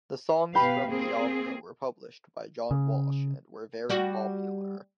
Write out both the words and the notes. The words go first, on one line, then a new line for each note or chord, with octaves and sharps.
The songs from the opera were published by John Walsh and were very popular.
B2 G4 B4 F5 B5
A#3 C4 G#4
C#3
G3 F#4